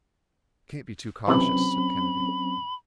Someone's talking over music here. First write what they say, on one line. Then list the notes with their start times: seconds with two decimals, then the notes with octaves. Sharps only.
"We can't be too cautious," said Kennedy.
1.28 B1 C3 E3 F#3 C4 C#4 B5